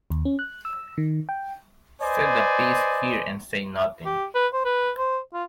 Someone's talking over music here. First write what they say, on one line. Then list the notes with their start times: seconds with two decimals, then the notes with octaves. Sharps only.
Set the piece here and say nothing.
0.10 D#2
0.25 C#4
0.39 F#6
0.65 E6
0.98 D#3
1.29 G5
2.01 B4 C5 D5 D#5 G#5
4.06 G4
4.35 B4
4.53 C5
4.65 B4
4.97 C5
5.34 F4